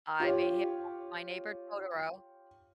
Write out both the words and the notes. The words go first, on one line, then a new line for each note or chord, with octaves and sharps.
I made him watch My Neighbor Totoro.
F4 G4 C#5